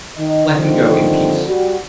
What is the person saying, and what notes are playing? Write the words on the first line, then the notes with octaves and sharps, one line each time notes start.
Let him go in peace.'
D#3 D#5
D3 D#3 F3 G3 C4 D4
G3 F#4